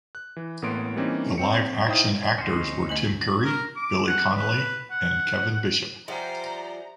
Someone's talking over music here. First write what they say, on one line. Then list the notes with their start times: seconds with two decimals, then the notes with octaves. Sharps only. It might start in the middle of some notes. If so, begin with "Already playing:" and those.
The live-action actors were Tim Curry, Billy Connolly, and Kevin Bishop.
0.15 F#6
0.36 E3
0.62 A1 A2 A#3 B3 C6 D7
0.96 E3 G3 A#3 C4 C#4 D#4
1.38 C4 G5 C#7
1.86 D#4 E4 C5 F5 G5 D#6
2.38 D2 C#4 D#4 C5
2.89 A3 B3 D#5 F#7
3.44 A#4
3.76 D6
4.07 F#5
4.36 B4
4.91 F#5
6.08 F3 G3 C5 D5 E5 F#5 G#5 A#5